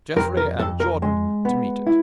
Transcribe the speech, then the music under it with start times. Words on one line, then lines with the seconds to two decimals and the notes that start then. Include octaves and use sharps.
Geoffrey and Jordan, to meet it.
0.16 F2 A#4
0.37 A#4
0.59 F2 A4
0.80 A#4
1.02 G#3
1.45 B3
1.87 E4